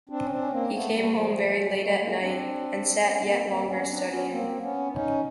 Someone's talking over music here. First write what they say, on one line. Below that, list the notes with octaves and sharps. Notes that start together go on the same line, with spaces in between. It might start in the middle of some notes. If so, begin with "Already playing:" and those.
He came home very late at night, and sat yet longer studying.
C4 D4
C#4
C4 D4
C#4
A#3 C4
A3 B3
G3 A3
F3 G3
F#3 G#3
G3 A3
G#3 A#3
C4 D4
B3 C#4
A#3 C4
A#3 C4
B3 C#4
C4 D4
C4
B3 C#4
A#3 C4
B3 C#4
C#4 D#4